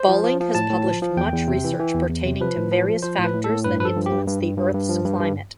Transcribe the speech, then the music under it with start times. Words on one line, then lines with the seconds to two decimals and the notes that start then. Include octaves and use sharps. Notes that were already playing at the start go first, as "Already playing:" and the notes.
Balling has published much research pertaining to various factors that influence the Earth's climate.
Already playing: C5
0.08 F3
0.24 F3
0.40 F3
0.55 A2 A5
0.70 A2
0.86 F3
1.02 F3
1.17 E2 G5
1.32 E2
1.48 C3
1.64 E3
1.79 E3
1.94 E2
2.10 E2
2.26 C3
2.41 F3 B4
2.57 A2
2.71 F3
2.88 F3
3.03 F3 C5
3.18 A2
3.24 B4
3.34 A2
3.44 A2 A4
3.64 G2 B4
3.80 F3 A4 B4
3.96 G2
4.06 G4
4.11 G2
4.27 G2
4.42 G2
4.57 G2
4.74 G2
4.89 F3
5.04 G2
5.20 G2